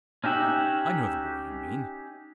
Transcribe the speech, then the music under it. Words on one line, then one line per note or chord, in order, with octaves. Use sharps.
I know the boy you mean.
C#4 D#4 G4 E5 F#5